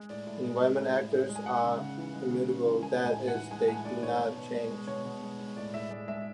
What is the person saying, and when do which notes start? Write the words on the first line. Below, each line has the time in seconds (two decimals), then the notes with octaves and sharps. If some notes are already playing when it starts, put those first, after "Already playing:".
Environment Actors are immutable, that is, they do not change.
Already playing: G#3
0.10 A2 D5
0.27 A2
0.43 G#3
0.60 G#3
0.77 A2
0.94 A2
1.12 G#3
1.29 G#3
1.36 G#5
1.46 G#3 F#5
1.63 C#3
1.80 C#3
1.98 E3
2.14 G#3
2.31 C#3
2.49 C#3
2.66 E3
2.83 G#3 G#5
3.00 A2
3.06 G#5
3.16 A2
3.28 F#5
3.34 E3
3.51 G#3 G#5
3.68 A2 G#5
3.85 A2 D5
4.03 E3 C#5
4.19 B2
4.37 B2
4.54 G#3
4.70 G#3
4.87 B2 C#5
5.05 B2
5.23 G#3
5.40 G#3
5.56 A2 D5
5.74 A2 E5
5.90 G#3 D5
6.08 G#3 E5